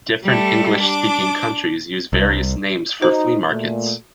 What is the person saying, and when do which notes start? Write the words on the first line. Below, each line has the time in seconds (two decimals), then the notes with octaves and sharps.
Different English-speaking countries use various names for flea markets.
0.23 G3 A3 A4
0.80 D4 D6
2.13 C2
3.02 D#4 F#4 C5
3.50 A#2 A3